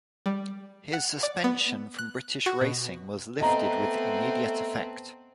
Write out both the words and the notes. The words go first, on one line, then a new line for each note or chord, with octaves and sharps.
His suspension from British racing was lifted with immediate effect.
G3
F#5
D5
B3
F#6
F#4
B2
A3 B3 C4 D#5 A#5